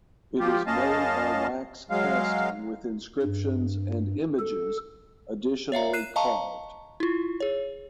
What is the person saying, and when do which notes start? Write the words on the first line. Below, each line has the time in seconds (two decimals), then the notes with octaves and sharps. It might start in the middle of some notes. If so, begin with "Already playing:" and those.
It is made by wax casting with inscriptions and images additionally carved.
0.39 F3 F4 G4
0.67 F#2 C#4 D#5 F5 A5
1.90 F#3 G#3 F5
3.22 G2
4.39 A4
5.72 C#5 E5 F5 A#5
5.93 F#6 C7 D#7 E7
6.16 D#5 F5 A5 A#5 C#6
7.00 E4 F4
7.40 G#4 C#5